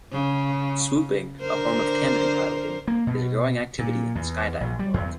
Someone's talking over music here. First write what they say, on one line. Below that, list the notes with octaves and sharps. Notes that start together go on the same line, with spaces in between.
"Swooping," a form of canopy piloting, is a growing activity in the skydiving world.
C#3
D3 A#4 C5
A#3
B2
A#2
E2
A#1
G3
E2